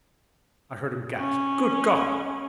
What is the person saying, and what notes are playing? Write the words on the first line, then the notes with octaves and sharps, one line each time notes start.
I heard him gasp, "Good God!"
C#4